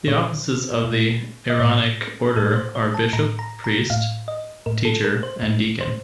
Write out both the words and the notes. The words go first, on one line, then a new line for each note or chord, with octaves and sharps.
The offices of the Aaronic order are bishop, priest, teacher, and deacon.
A#2 C#5
A#2
D#5
A2 C#5
A2 A4
C5
C#5
A5
A2 A#5
A#5
A#5
A2 F5
D#5
A2 A#4
A4
A#4
C5
A2
C5